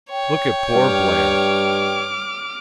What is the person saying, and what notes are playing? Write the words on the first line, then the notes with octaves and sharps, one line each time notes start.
Look at poor Blair.
C#5 G5
G2 D6 F6